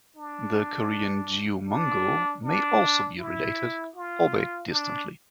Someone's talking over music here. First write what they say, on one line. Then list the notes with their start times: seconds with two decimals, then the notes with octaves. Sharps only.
The Korean "geomungo" may also be related, albeit distantly.
0.16 D4
1.68 D4
2.45 D4
3.20 E4
3.96 F4
4.71 D4